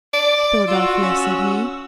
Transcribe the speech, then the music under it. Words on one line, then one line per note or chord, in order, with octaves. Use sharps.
"Philadelphia," said he.
D5
F4 F#4 E6
C#4